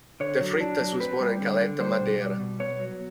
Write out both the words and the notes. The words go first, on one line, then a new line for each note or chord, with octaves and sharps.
De Freitas was born in Calheta, Madeira.
D3 C#5
F#3
D4
F#3
C4 B4
G3
D3
D3
G3 C5
B2
G3
B2
B3 C#5
F#3